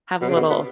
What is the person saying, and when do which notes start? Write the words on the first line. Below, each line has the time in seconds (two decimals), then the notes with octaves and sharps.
have a little
0.22 B2
0.29 C#3
0.35 B2
0.50 B3